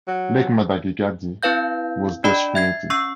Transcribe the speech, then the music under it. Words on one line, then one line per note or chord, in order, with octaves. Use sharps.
Lake Makgadikgadi was thus created.
F#3
C4 E4 B4 F5 G6
D4 D5 D#5 A5 B5
E5 G#6 C7
C#4 C#6 E6 C7